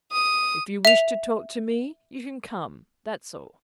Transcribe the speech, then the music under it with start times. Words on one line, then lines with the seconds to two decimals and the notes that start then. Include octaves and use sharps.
If you wish to talk to me, you can come, that's all.
0.11 D#6
0.85 E5 F7